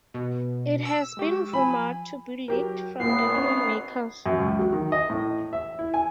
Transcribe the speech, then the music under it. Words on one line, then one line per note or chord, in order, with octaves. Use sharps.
It has been rumored to be leaked from the filmmakers.
B2
E6
G#3 G4 C#6
F3 G#5 B5
F#3 G4 A#4
G#1 A#2 A#3 B3 C7
C4 C#4
F#2
C#2
F#3
D#3
D#5
A2
E5
E4
G#5